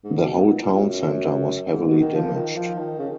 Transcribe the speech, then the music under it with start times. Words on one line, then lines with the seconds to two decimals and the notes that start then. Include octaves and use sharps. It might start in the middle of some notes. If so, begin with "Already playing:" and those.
The whole town centre was heavily damaged.
0.04 G#2
0.18 B2
0.32 B2
0.46 A#2
0.60 A#2
0.74 F#2
1.73 G#2
1.87 B2
2.01 D#3
2.15 F3
2.36 D#3
2.56 F3
2.78 D#3
2.99 C#3